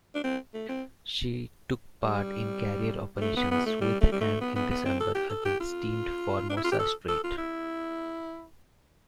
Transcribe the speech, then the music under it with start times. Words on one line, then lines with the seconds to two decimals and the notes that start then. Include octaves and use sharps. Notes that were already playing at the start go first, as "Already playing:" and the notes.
She took part in carrier operations with and in December again steamed Formosa Strait.
0.15 D4
0.24 C4
0.54 A3
0.69 C4
2.03 G3
3.17 G3
3.21 A3
3.36 B3
3.51 B3
3.66 A3
3.81 G3
4.01 A3
4.12 G3
4.21 A3
4.41 B3
4.56 B3
4.70 B3
4.85 C4
5.00 A4
5.15 G4
5.30 A4
5.45 G4
5.60 F4
6.50 D4
6.57 E4
6.64 F4
6.72 G4
6.79 A4
7.08 A4
7.24 F4
7.38 E4